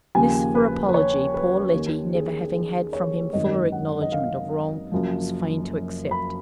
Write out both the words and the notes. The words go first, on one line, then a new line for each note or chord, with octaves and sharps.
This for apology poor Letty, never having had from him fuller acknowledgment of wrong, was fain to accept.
D#2 C#3 F3 G#5
B4
B4
C#5
B4
D#2 D#3
G#4
G#4
C#5
G#1 F#2 D#3 D#5
F#5
D#5
F5
F#1 F#2 F3
B5